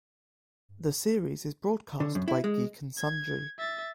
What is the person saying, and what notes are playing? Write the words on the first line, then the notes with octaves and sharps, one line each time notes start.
The series is broadcast by Geek and Sundry.
D3
F#2
E4
G#3
G#6
E5 A6